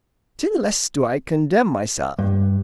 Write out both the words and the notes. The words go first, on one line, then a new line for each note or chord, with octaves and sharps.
Still less do I condemn myself.
G2